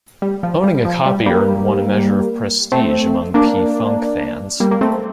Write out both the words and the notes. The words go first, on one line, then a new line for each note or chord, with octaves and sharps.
Owning a copy earned one a measure of prestige among P-Funk fans.
G3
F3
G3
F3
G3
G3 A#3
A3 C4
A#3 D4
G3 A#3
A#3
A3 C4